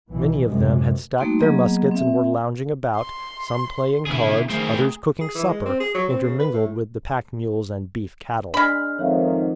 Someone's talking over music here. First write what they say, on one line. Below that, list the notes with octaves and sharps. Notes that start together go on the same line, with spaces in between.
Many of them had stacked their muskets and were lounging about, some playing cards, others cooking supper, intermingled with the pack-mules and beef cattle.
B1 B2 E3
C#2 F#2 C3 G#3
G3 A3 A#3 D#4 F#4 C6
F#3 A#3 B3 G#4 D#5 A#5
C4 E5
C6
B2 D3 E4 G#4
D#3 A3 C4 G#4 A#4
G#4
E3
G#3
C4
G#4
F#3
C4
C#3
B4
A2
G#3 D4 D5 B5 F6
F2 G#2 D#3 C#5 E5 F5